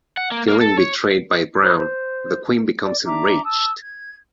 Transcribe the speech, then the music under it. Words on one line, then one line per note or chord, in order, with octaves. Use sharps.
Feeling betrayed by Brown, the Queen becomes enraged.
F#5
A#3
A#3
A4
C#5
D#4 C5 B5
C5
D5
D4 E5 A#5 D6
A5 D#6 E6
G#6